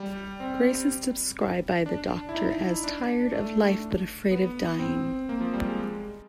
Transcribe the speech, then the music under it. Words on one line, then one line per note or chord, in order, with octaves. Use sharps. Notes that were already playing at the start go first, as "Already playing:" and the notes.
Grace is described by the Doctor as tired of life but afraid of dying.
Already playing: G3
C4
D4
E4
D#4
D4
A3
B3
C4
A#3
F3
G3
G#3